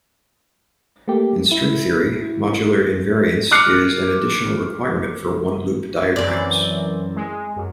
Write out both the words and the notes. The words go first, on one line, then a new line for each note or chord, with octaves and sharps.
In string theory, modular invariance is an additional requirement for one-loop diagrams.
A3 A#3 G4
E4
D6 F6 F#6 C7 C#7
F#2 E3 C4 D5
G#3
F#2